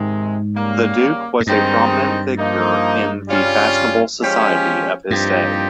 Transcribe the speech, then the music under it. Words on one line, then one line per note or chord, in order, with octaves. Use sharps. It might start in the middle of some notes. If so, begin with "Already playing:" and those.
The Duke was a prominent figure in the fashionable society of his day.
Already playing: G#2 C3 D#3 G#3
C#3 G3 A#3
G#2
G2 D#3 G#3 C4 D#4
F3 A#3 D#4
C#3 G3 C#4 F4
F3 G#3 C#4 G4
G2 A#2 F3 C4 D#4 G4